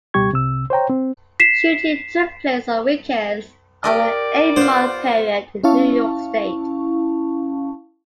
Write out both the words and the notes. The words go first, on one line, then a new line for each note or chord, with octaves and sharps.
Shooting took place on weekends over an eight-month period in New York State.
C#2 B2 G3 G4 C#6 G#6
C2 C3 E6
C5 C#5 G5 A#5
C4
B6 C7 E7
G4 A#4 D5 D#5
B3 F4 C5
C#4 E4 F5 A5 C#6